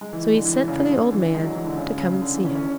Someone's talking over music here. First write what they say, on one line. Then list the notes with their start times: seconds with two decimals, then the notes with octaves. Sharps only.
So he sent for the old man to come and see him.
0.01 G#3
0.13 E3
0.34 D3
0.45 E3
0.68 C#3
0.90 D3
1.12 E3
1.35 G#3
1.44 F#3
1.56 E3
1.67 D3
1.77 C#3
1.98 C#3
2.22 D3
2.34 E3
2.45 C#4
2.55 C#4